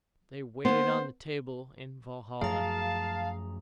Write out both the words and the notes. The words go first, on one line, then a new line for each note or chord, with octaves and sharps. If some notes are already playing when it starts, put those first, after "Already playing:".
They waited on the table in Valhalla.
A#3 B3 C5
F#2 F3 A3 G#4 F5 A5 A#5